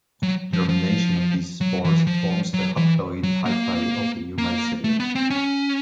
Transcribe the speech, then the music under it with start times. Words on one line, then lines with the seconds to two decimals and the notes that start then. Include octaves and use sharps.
Germination of these spores forms the haploid hyphae of a new mycelium.
0.23 F#3
0.53 F3
0.69 F3
1.61 F#3
1.84 E3
2.07 F3
2.54 F#3
2.77 E3
3.23 F#3
3.46 A#3
4.38 A#3
4.84 A3
5.00 B3
5.15 C4
5.30 C#4